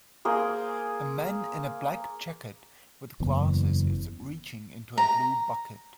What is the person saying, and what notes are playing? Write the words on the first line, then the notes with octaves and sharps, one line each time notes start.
A man in a black jacket with glasses is reaching into a blue bucket.
A#3 G#4 C5
F#1 E2
A#5